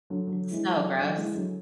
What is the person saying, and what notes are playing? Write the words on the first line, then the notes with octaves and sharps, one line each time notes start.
It's so gross,
D3 F#3
D3 F#3
E3 G#3
D3 F#3
D3 F#3
E3 G#3
D3 F#3